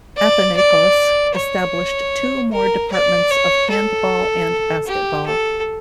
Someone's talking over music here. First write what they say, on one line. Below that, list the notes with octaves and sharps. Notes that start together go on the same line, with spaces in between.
Athinaikos established two more departments of Handball and Basketball.
D5
D5
C#5
A#4
D5
C#5
A4
G4
A4